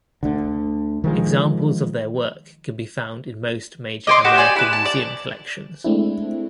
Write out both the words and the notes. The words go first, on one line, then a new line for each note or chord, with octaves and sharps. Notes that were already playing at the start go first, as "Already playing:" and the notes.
Examples of their work can be found in most major American museum collections.
D2 D3
D#3 F3 G#3
D#5 G#5 C6 D6
F#4 G4 B4 E7
G4 D5 G#5
E4 B4
A5
D5
G#3 A3 C4 D4 E4